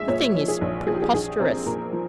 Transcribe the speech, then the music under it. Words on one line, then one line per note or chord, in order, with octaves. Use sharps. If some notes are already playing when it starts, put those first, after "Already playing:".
The thing is preposterous!
Already playing: A#1 G#3 G#4 E5
A#2 C#5
F3
G#4
A#1
F3 G#4
G4
G#4
A#1 G#4
C4 A#4
A#2 A#4
F3